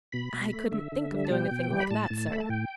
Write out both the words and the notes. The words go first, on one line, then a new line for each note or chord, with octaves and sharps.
"I couldn't think of doing a thing like that, sir."
B2 B5
B2
A3
D3 E5
D3
G3
A5
B2 G5
B2
G3
B5
A2 A5
A2
A3 B5
A5
A2 G5